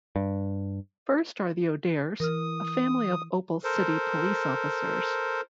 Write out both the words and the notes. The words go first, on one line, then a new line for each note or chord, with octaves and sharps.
First are the O'Dares, a family of Opal City police officers.
G2
E3 A#4 D#6 F6
A4 A#4 C5